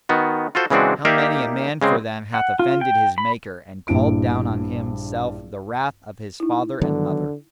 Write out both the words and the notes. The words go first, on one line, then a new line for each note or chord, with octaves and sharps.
How many a man for them hath offended his Maker and called down on him self the wrath of his father and mother!
D#3 B3 F#4
F4 F#4 A4 C5
C#3 E3 G#3 C4 D4 F#4
A#3 D#4 G4 D5 E5 F5
C#3 G#3 C4
F#5
F4
G5
B5
A#1 G2 E4 D7
D#4 E4
D3 D#3 F#3 B3